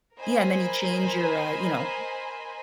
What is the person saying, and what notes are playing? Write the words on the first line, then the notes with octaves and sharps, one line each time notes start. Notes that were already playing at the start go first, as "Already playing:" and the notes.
Yeah, and then you change your, uh, you know,
A#4 C5 D#5 G#5 B5